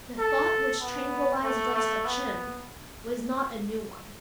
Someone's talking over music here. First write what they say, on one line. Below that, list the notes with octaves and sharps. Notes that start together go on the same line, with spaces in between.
The thought which tranquillized Rostopchin was not a new one.
A4
B3
A3
A3
B3